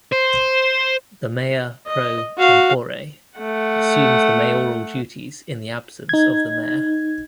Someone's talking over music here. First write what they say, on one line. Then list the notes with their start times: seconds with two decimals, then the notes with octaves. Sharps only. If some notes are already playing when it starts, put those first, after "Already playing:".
The Mayor Pro Tempore assumes the Mayoral duties in the absence of the Mayor.
0.12 C5
1.87 D#5
2.38 F#4 F5
3.38 A3 F#5
6.09 D#4 G#6